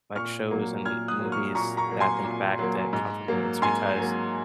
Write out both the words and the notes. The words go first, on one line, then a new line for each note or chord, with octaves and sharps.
like, shows and movies that I think back that comfort me, it's because
A#2 C#6 F6
F#3 A#3
A#2 F6 G#6
D#6 F#6
F#3
A#3
C#6 F6
A#2 A#5 C#6
A#5 C#6
F#3 A#3
G#5 C6
A#2
F#3 A#3
G#2
F#3 A#3
G#2 G#5 C6
F#3 A#3